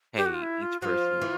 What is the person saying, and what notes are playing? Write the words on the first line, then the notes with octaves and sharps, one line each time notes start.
hey, each person is
G4
F#4
F4
E4
F4
F3 F4 F#4
E3